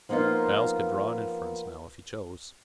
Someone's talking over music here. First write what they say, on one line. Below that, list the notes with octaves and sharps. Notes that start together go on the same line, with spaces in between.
Giles could draw an inference now if he chose.
F3 A#3 B3 D#4 F4